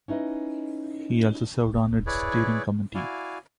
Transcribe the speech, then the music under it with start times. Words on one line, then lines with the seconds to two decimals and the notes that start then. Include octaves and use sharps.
He also served on its steering committee.
0.08 C#4 D#4 E4 B4 D#5
2.07 E4 G#4 B4 C#5 D5
2.95 E4 F#4 D5 F5 G#5